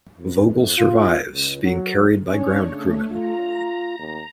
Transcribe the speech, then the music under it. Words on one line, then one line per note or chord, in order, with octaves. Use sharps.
Vogel survives, being carried by ground crewmen.
F2
F4
C#2
F#3
C#4 D4 C#5
C#3 A3
F4 A#5
D#2